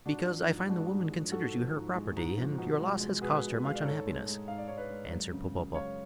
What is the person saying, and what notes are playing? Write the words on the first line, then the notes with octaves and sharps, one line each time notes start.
"Because I find the woman considers you her property, and your loss has caused her much unhappiness," answered Popopo.
G#2 D4 F#4
F3
G#2
G#3 D4 F#4
G#2
F3
G#2 F#4 A4
F3
G#2
G#3
G#2
F3
B2
G#3
G#3
B2 G#4 B4
B2
G#3 F5
D5
G#2 A4 C#5
G#3
G#3
G#2 F5
D5
G#2 C#5
B4 D5
G#3
F#2
C#3
F#2
G#3 C#5 F5